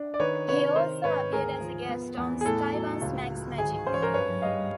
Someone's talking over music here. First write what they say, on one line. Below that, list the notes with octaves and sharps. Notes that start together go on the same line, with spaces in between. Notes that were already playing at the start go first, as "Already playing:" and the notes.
He also appeared as a guest on Sky One's Max Magic.
Already playing: D4
D5
D#3 B4 C#5
C3 B4 C#5
D#3 A#4 C5
G#2 B4 C#5
D2 G#4 A#4
F3
B3
E2
G#4
A2 A4
F#3
C#2
F#3
G#2 G#4
C#4 C5
C#5
A#4 C5
G2 B4 C#5
G3 D#5 F5